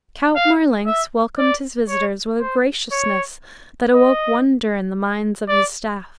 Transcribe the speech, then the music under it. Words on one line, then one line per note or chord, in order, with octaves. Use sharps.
Count Marlanx welcomed his visitors with a graciousness that awoke wonder in the minds of his staff.
F5
E5
D5
C#5
C5
C#5
D#5
D5